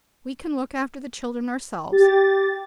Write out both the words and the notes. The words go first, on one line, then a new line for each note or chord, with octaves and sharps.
We can look after the children ourselves.
G4 A6